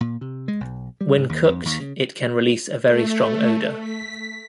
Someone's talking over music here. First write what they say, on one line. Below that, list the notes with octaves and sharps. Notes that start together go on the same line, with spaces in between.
When cooked, it can release a very strong odor.
A#2
C3
G#3
B1
G3
G#2
D#2
F2
D#2
C#3
A3
B6